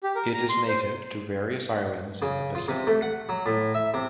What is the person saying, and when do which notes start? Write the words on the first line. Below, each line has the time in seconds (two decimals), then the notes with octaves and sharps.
It is native to various islands in the Pacific.
0.03 G4
0.16 A#4
0.34 A#5
0.50 C6
0.68 C5
2.22 C#3
2.55 F4
2.68 C3
2.87 A3
3.02 F#5
3.29 F#3
3.46 A2
3.74 E5
3.94 C3